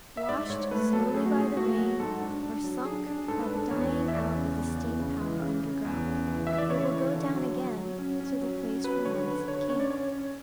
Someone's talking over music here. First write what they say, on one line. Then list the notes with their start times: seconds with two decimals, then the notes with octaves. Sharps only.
Washed slowly by the rain, or sunk by the dying out of the steam- power underground, it will go down again to the place from whence it came.
0.17 E5
0.29 G#2 D5
0.50 G#2 C#5
0.71 A3 B4
0.93 F#3 A4
1.14 A3 G#4
1.26 F#4
1.36 G#2 G#4
1.57 A3 F#4
1.78 F#3
2.00 G#2 A4
2.22 D4
2.43 D4
2.64 F#3
2.85 D4 G#4
3.07 D4
3.28 G#2 A4
3.41 B4
3.49 D4
3.55 A4
3.71 E2 C#5
3.92 E3
4.08 E5
4.13 E2 D5
4.35 C#3
4.56 E2
4.78 E3
4.99 C#3
5.21 E3
5.42 C#3
5.63 C#3
5.85 E2
6.06 C#3
6.28 E3
6.47 E3 E5
6.58 D5
6.70 C#3 C#5
6.92 E3
7.13 D3
7.34 F#3
7.56 F#3
7.77 F#3
7.98 C#4
8.20 C#4
8.41 F#3
8.63 C#4
8.84 F#3 B4
9.05 D3 C#5
9.27 D3 B4
9.48 D3 C#5
9.69 C#4 C#5
9.80 D5
9.90 C#4 C#5
10.12 C#4